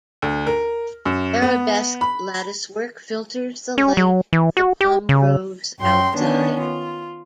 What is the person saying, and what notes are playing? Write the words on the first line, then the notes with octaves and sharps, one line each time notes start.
Arabesque latticework filters the light of the palm groves outside.
D2
A#4
F#2
B3
B5
C#4
F#3
E3
F#4
G4
C#3
F#2 F#3 G5 C6
D#3 B3 C#4 D4
F4